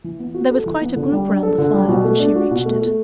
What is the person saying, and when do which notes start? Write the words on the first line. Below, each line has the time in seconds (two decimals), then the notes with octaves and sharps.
There was quite a group round the fire when she reached it.
0.04 E3
0.19 B3
0.34 F#4
0.51 A4
0.66 E3
0.81 B3
0.96 D3
1.12 G3
1.28 D4
1.43 A4
1.58 D3
1.74 G3
1.89 B2
2.04 A3
2.19 D4
2.35 F#4
2.51 B2
2.65 A3
2.81 A3